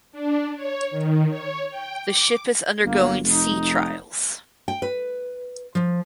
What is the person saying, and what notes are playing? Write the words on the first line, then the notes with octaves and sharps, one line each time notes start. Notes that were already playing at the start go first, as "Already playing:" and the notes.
The ship is undergoing sea trials.
D4
C#5
D#3
C#5
G5
D6
G1 A#3
F1 D#4
G5
B4
F3